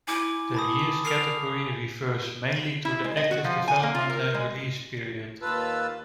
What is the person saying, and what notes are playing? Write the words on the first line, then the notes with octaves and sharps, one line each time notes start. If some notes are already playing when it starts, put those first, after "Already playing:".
The years category refers mainly to the active development and release period.
E4 G#5 D6
A5 B5 D#6
A#4 C7 F7
E4
G#3
D#5
F#4
F3
G#5
A#3
F4
A#4
G#3
D#2 F4 B4 A5 E6